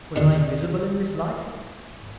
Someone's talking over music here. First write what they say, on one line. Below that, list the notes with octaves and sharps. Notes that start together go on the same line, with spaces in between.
Was I invisible in this light?
D#2 D3